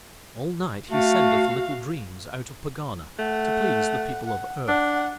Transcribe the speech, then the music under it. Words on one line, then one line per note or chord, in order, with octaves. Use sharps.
All night he sendeth little dreams out of Pegana to please the people of Earth.
A3 F#4 F5
A3 F#5
F#5
D4 F#5